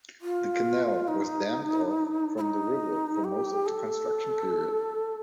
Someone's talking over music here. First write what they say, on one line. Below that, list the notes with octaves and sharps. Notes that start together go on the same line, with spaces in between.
The canal was dammed off from the river for most of the construction period.
F4
D#4
E4
D#4
G4
A4